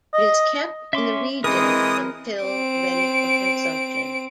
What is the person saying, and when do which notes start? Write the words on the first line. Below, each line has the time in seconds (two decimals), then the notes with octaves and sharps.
It is kept in the region until ready for consumption.
0.14 D#5
0.93 C#4 E5 C6 D6
1.44 E3 G#3 C4 A#4 D#6
2.44 C4 D7